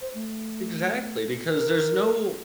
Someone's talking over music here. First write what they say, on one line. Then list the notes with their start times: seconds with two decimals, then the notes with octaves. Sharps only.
Exactly, because there's no
0.01 C5
0.14 A3
1.51 A#4